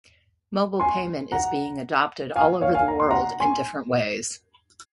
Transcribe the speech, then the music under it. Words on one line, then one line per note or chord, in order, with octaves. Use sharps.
Mobile payment is being adopted all over the world in different ways.
G#5 C6
F#5 A#5
F5 G#5
C#5 F5
F5 G#5
A#5
C6
F#5 A#5
G#5 C6